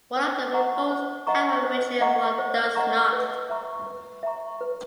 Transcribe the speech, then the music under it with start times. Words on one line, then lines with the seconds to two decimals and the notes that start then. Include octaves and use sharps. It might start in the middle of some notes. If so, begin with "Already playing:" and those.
One of them involves time-averaging, and one does not.
0.16 C5
0.53 D#5 F#5 A#5 C#6
0.91 C5
1.27 D#5 F#5 A#5 C#6
1.64 C5
2.01 D#5 F#5 A#5 C#6
2.38 C5
2.75 D#5 F#5 A#5 C#6
3.13 B4
3.50 E5 G5 A#5 C#6
3.86 B4
4.23 E5 G5 A#5 C#6
4.61 B4